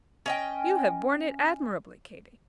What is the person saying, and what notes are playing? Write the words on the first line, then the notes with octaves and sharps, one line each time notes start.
You have borne it admirably, Katy.
C#4 D#5 G5